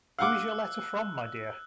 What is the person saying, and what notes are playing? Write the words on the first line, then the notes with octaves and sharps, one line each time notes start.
Who is your letter from, my dear?
F5 F#5 D6 E6 F#6